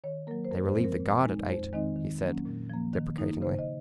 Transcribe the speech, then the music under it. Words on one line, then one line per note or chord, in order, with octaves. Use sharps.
"They relieve the guard at eight," he said deprecatingly.
D#3 C#5
F#3 A#3 A#4
C5
F#2 A#4
C5
F3 G#3 C4
A#4
A#2
G#3 D#4
F2 C5
D#3 G#3 C4 D#4 D#5
D#3
F#3 A#3 C#4
A#2
F3 A#3
D#3
A#3 D#4
C#3 C5
D#5